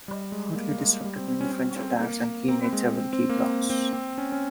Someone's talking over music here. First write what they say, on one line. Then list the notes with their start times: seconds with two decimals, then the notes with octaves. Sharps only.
Hartley disrupted many French attacks and he made several key blocks.
0.08 G3
0.32 G#3
0.56 A#3
0.69 A#3
0.80 G#3
1.04 G3
1.16 C4
1.28 C4
1.41 C#4
1.52 C#4
1.76 C4
2.01 A#3
2.48 C4
2.73 G#3
2.97 C4
3.13 C4
3.29 A#3
3.70 C4
3.93 C4
4.18 C#4
4.32 C#4